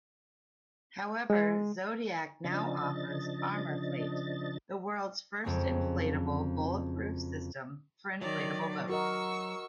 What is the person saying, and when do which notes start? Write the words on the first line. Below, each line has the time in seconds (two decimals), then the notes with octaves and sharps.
However, Zodiac now offers ArmorFlate, the world's first inflatable bulletproof system for inflatable boats.
1.30 G#3
2.44 C#3 F3 D4 D#5 A6
5.44 F#1 F2 G#3 C4 G#5 C#6
8.21 D#3 F#3 D5
8.89 F#4 A#4 D#5 C#6 E6